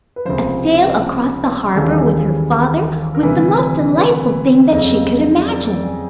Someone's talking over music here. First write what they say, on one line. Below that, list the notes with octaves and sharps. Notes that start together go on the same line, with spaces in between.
A sail across the harbor with her father was the most delightful thing that she could imagine.
B4
C#2 C3 F3 C5
D#2 C#3 E3 G3 A4
A#4
D2 C3 E3 G3 B4
B4
F2 C#3 F#3 D#5
D5
D5
G#4